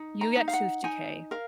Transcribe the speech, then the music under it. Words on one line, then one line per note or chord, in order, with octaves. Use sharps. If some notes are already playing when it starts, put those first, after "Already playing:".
you get tooth decay
Already playing: D#4
A#5
D#4
F5
F#5
D#4 G#5
A#4 F5